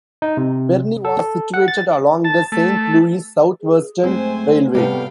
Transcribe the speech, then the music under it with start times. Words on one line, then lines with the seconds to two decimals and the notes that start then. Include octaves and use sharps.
Bernie was situated along the Saint Louis Southwestern Railway.
0.22 D#4
0.37 C3
1.05 A4
1.54 F#5
1.68 A6
2.25 A5
2.52 A3
3.61 G#4
4.03 F#2 G#3 A3 C4 C5 G#5
4.75 A2 C3 G3 B3 F#4 A4 F5 G5